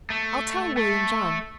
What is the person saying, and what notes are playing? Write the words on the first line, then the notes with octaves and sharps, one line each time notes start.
I'll tell William John.
A3
A3